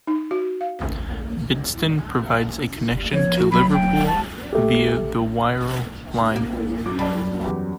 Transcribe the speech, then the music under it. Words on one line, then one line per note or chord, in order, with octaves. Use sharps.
Bidston provides a connection to Liverpool via the Wirral Line.
D#4
F#4
F5
F#1
F3 C#5
F#4
F#3 B5
D1 G5
A5
A3 G4
A#3
F#2 D6
G3 D5 A5 B5
E2 G4